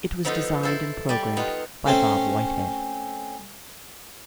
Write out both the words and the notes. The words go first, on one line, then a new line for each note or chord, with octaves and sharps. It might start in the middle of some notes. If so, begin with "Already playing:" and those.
It was designed and programmed by Bob Whitehead.
F3 B3 D#4 F4 A4
E4 A4 C5
G3 D5
B3 D#4 F4
A3 C4 C#4 A4 C5